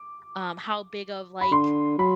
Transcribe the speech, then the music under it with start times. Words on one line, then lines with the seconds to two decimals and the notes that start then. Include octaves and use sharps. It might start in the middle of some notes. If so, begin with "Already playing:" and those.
um, how big of like,
Already playing: D6
1.41 B5
1.51 D3 C6
1.99 F#3 B5